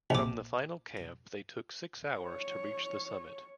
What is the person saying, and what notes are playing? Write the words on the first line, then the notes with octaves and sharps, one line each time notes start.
From the final camp they took six hours to reach the summit.
A#1 D6
C#5